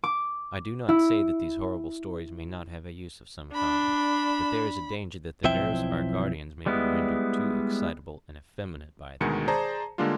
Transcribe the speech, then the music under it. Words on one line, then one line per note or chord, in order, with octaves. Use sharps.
I do not say that these horrible stories may not have a use of some kind; but there is a danger that the nerves of our guardians may be rendered too excitable and effeminate by them.
D6
E4
D4 B5
B1 F3 C4 E4 E5 G5
G3 G#3 B3 E4
D2 B2 D#3 G#3 C#7
G#4 C5 D5 A5 A#5
D3 G3 G#3 A#3 D4 F4